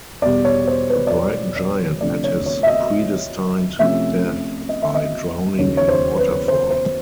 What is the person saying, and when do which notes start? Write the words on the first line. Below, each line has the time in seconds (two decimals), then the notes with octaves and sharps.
The Briton giant met his predestined death by drowning in a waterfall.
0.22 E2 B2 G3 D5
0.45 C#5
0.67 C5
0.90 B4
1.07 D5
1.11 C#5
1.56 D5
2.01 D2 C3 F3 A3 D5
2.24 C#5
2.46 C#5
2.63 E5
2.67 D#5
3.79 C3 F3 A3 C#4 E5
4.69 D#5
4.82 E5
4.95 D#5
5.58 D#2 C#3 F#3 C#5
5.77 C#5
5.88 C5
6.18 B4
6.48 C5
6.70 C5